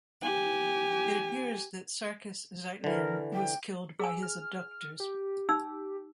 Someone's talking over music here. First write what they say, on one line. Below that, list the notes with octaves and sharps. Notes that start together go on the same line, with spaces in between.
It appears that Sarkis Zeitlian was killed by his abductors.
G4 G#5
D3 E3 A#4
G5
G#4 G#5 E6
F6
G4
D#4 E6